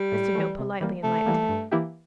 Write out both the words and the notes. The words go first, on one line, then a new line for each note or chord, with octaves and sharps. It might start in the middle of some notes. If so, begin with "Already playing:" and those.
Mr. Hale politely enlightened him.
Already playing: G3
A2
E3 A3
C3
E3 G3 A#3
C3 A3
E3 G3 A#3
G2
E3 A#3 E4 G4